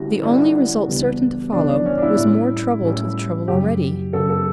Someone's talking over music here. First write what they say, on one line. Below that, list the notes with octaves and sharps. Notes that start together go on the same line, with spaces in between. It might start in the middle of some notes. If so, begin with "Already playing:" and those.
The only result certain to follow, was more trouble to the troubled already.
Already playing: D3 G3 C#4 E4 F#4 G4
D3 G3 C#4 D4 E4 G4
C#2 C#3 E3 G3 B3
C#2 C#3 E3 G3 B3 D4
D4
C#4
D4
E4
A2 G3 C#4
A2 G3 C#4
F#2 C#3 F#3 G4
F#2 C#3 F#3 A4
A4